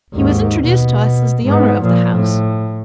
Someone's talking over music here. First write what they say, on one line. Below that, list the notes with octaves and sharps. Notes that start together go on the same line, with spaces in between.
He was introduced to us as the owner of the house--Mr.
D#2 G#2
B2
G#2 B3
A#2 F3
A2